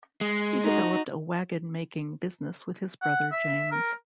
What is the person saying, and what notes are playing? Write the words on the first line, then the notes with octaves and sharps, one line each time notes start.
He developed a wagon-making business with his brother James.
G#3
D#4 F#4
F#5
E5
A#4